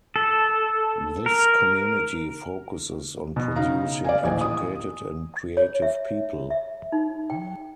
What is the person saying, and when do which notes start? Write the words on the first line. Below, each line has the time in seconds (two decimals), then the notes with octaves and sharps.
This community focuses on producing educated and creative people.
0.16 A4
1.26 A#4
3.36 B2
3.56 C#3 D#4 F5 A#5
4.05 D5 F5 G#5
4.23 D#1 A1 D#5 G#5
4.41 D#6
5.57 C#5
5.82 E5
6.50 E5
6.92 D#4
7.30 G5